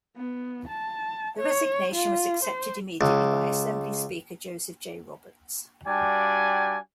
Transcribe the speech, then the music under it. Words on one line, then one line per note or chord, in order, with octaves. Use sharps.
The resignation was accepted immediately by Assembly Speaker Joseph J. Roberts.
B3
A5
C#5
F4
C5
C#2
G3 D4 F#4 D5 G5 G#5